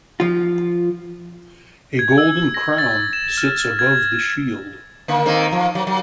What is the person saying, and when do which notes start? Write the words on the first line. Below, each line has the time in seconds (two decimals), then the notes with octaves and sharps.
A golden crown sits above the shield.
0.20 F3 F4
1.99 G#6
2.18 E6
2.54 A#6
2.78 A6
3.13 E7
3.38 F6
3.79 G#6
5.08 D3 A#3
5.26 D#3 A#3 C4
5.52 F3
5.75 F#3
5.87 F#3